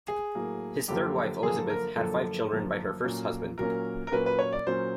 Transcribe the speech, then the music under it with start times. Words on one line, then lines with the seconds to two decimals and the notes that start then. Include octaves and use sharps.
His third wife Elizabeth had five children by her first husband.
0.08 G#4
0.35 A2 F#3 A#3
0.88 F#2 D3 F3 A#3 G4
1.42 F#2 D3 F3 A#3 G#4
1.57 A4
1.70 A#4
1.96 F#2 D3 F3 A#3 A4
2.51 F#2 D3 F3 A#3
3.04 A#2 F#3 A#3 C#4
3.58 A#2 F#3 A#3 C#4 A#4
4.07 A#4
4.12 A#2 F#3 A#3 C#4 B4
4.26 B4
4.39 C#5
4.53 D5
4.67 A#2 F#3 A#3 C#4 C5